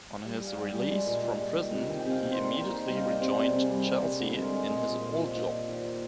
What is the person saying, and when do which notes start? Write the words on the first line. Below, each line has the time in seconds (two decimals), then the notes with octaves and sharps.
On his release from prison, he immediately rejoined Chelsea in his old job.
0.25 G3 G5
0.35 G#5
0.41 G3
0.47 F5
0.57 G3 G5
0.68 G#5
0.74 G3
0.79 A#5
0.90 G#3 G#5
1.01 G#5
1.06 A#2
1.12 A#5
1.23 A#2
1.40 G#3
1.56 D#3
1.72 C3
1.89 D#3 G#5
2.00 G5
2.05 C3
2.11 F5
2.22 A#3 D5
2.33 C5
2.38 A#3
2.44 A#4
2.53 D#3 G#4
2.61 A#4
2.71 D#3
2.87 G3 G5
2.96 F5
3.05 C3 D#5
3.12 D5
3.21 C3 C5
3.38 C3 G#4
3.54 C3
3.70 G3
3.87 C3
4.04 C3
4.20 D3
4.30 G#4
4.36 G#3
4.42 A#4
4.52 G#3
4.69 G#3
4.86 A#2
5.02 A#2
5.18 F3 D#5
5.27 D5
5.35 F3 C5
5.47 A#3 D5
5.68 D#3
5.84 A#3